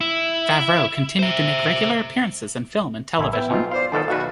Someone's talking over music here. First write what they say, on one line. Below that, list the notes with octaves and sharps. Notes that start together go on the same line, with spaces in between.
Favreau continued to make regular appearances in film and television.
E4
C5 E5
A1 F#2 E4 E5
B3 E4 G5
B1 G#2 F4
C5 D5 F5 C6
E2 G#2 B2 D#3 A4 A5
B1 E2 F#4 B4 F5